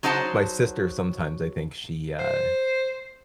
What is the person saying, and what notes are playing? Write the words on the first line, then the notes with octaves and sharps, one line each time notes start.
my sister, sometimes, I think she, uh,
F#3 D#4 C5 F#5 A5
C5